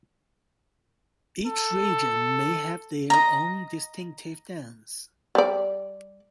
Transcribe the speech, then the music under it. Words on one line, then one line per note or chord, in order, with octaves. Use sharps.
Each region may have their own distinctive dance.
A4
D#5 A#5
G3 D5